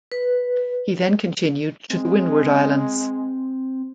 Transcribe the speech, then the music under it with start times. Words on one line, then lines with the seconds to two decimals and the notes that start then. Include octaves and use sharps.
He then continued to the Windward Islands.
0.12 B4
1.90 G#3 C4